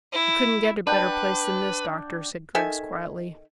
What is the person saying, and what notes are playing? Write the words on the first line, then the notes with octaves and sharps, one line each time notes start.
"You couldn't get a better place than this, doctor," said Griggs quietly.
E4
D4 B4 F#5 G5
D#3 A4 E5 G#5